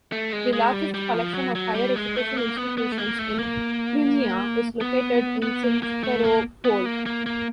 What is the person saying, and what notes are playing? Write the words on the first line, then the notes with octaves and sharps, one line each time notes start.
The largest collection of higher education institutions in Crimea is located in Simferopol.
A3
G#3
G#3
G3
G3
F3
F#3
F#3
G3
G#3
A3
A#3
B3
B3
A3
A#3
A3
A#3
B3
B3
A#3
A#3
A3
A#3
B3
A#3
A#3
A#3